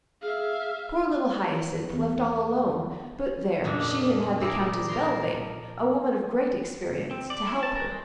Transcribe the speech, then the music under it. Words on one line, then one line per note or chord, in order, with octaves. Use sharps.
Poor little Hyacinth left all alone; but there! she had had the Countess Belvane, a woman of great experience, to help her.
G#4 E5 F5
E2
F2 A#2 C#3 D4
E4 G4 G#4 A#4 D5
F3 A#4 C6
C4
D5
E4
A5
A#4
G#3